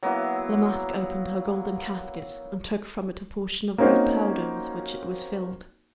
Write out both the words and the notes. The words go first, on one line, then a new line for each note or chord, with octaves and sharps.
La Masque opened her golden casket, and took from it a portion of red powder, with which it was filled.
F#3 A#3 B3 E4
A#3 C4 C#4 D#4 F#4 C5